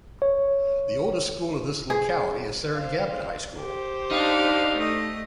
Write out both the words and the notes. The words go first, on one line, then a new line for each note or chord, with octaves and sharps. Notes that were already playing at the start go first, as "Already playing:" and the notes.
The oldest school of this locality is Sarengabad High School.
C#5
G#4
C5 F5
G4 C5
D4 D#4 F5
A3 D#5